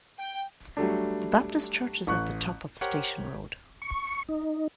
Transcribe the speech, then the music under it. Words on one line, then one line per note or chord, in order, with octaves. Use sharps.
The Baptist Church is at the top of Station Road.
G5
F#3 G3 A3 D4
A1 C#6 F#6
G4 A#4 C5 C#5 F#5
C#6
D#4